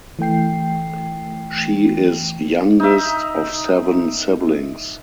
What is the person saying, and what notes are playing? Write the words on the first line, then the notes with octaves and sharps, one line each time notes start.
She is youngest of seven siblings.
E3 A3 G5 C7
D#4 E5